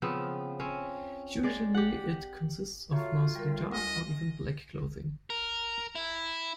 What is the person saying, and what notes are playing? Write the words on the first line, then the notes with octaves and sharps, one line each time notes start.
Usually it consists of mostly dark or even black clothing.
C#3 F3 B3 C4
C4 C#4
G#3 D5
G4 F#5
F#3 A3 F4 C#5
G3 A#4 G5
D2 D#5 G#5
A#4
E4